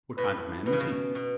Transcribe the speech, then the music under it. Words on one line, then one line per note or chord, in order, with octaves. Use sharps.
"What kind of man is he?"
A2 B4
B2 B4
C#3
B2
B2